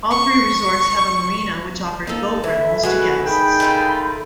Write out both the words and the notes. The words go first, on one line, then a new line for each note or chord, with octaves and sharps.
All three resorts have a marina which offers boat rentals to guests.
C#6
A#3 D#4 A4
E3 A4 E5
G#3 E4 F#4 B4
D#3 G#4 G5 B5
A3 D#4 F4